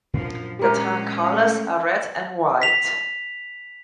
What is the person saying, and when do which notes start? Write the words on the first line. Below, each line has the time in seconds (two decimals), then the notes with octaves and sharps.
The town colours are red and white.
0.14 F#2 A#2 F3 D4
0.59 G#3 C#4 G4 A#4
1.33 A3
2.62 B6 F7